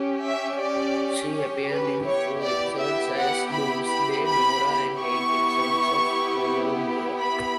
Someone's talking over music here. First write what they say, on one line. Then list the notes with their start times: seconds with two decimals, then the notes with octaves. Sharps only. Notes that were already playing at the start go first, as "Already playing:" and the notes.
She appeared in four episodes as DoomsDay Dora and eight episodes as HoloDora.
Already playing: C#4 G4
0.25 E5
0.62 D5
1.35 C#5
1.71 B4
2.07 B3 E4 G4 C#5
2.44 D5
2.81 E5
3.17 F#5
3.53 B5
3.90 B5
4.27 B5
4.99 B3 E4 G4 C#6
7.19 B5